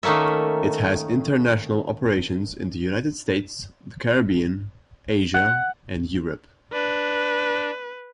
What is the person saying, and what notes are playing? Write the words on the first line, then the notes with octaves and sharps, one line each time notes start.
It has international operations in the United States, the Caribbean, Asia, and Europe.
D#3 A3 A#3 C#4 E5
F#5
D4 B4